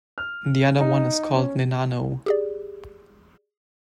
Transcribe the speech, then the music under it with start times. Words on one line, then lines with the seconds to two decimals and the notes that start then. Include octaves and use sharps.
The other one is called nenano.
0.18 F6
0.80 D#4
1.36 C#4
2.26 G4 G#4 D5